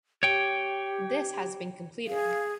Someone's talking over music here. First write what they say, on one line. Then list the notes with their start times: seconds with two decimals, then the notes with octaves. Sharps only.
This has been completed.
0.23 G4 C#5 G5
2.07 G#4 F5